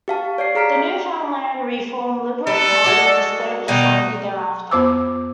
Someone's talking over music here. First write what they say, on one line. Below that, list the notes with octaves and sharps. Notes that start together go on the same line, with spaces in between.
The Newfoundland Reform Liberal Party disbanded shortly thereafter.
G4 F5 A5
C#5 D5 F5 C7
G#4 F5 A#5 F6 B6 D7
G3 A4 B4
G#3 F#4 D5
B2 D#3 G3 D#4
F2 B3 C5 D6 E6